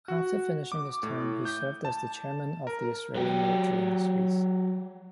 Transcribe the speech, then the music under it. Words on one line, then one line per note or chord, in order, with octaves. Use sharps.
After finishing his term, he served as the Chairman of the Israeli Military Industries.
F#4
D6
A2
G6
A5
A#4
F#3 G4